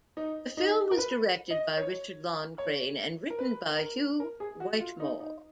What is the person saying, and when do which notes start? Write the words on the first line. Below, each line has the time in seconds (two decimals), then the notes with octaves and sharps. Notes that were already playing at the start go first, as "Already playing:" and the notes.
The film was directed by Richard Loncraine and written by Hugh Whitemore.
0.17 D#4
0.57 D#4
0.91 A#4
0.98 B4
1.50 D#5
1.77 C#5
2.58 C#5
3.30 A#4
3.39 B4
3.79 A#4
4.20 A#4
4.40 G#4
4.60 F#4
4.80 F4
5.00 D#4
5.20 D#4